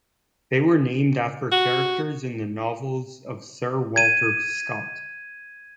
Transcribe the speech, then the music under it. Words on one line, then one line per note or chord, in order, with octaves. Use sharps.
They were named after characters in the novels of Sir Walter Scott.
F#4
G#6 D#7